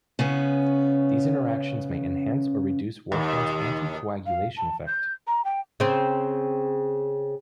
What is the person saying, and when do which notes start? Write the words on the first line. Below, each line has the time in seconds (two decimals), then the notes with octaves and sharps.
These interactions may enhance or reduce warfarin's anticoagulation effect.
0.19 C#3 B3 C#4
3.12 D#2
4.26 F5
4.57 A5
4.87 G6
5.27 A#5
5.45 G5
5.80 C#3 C4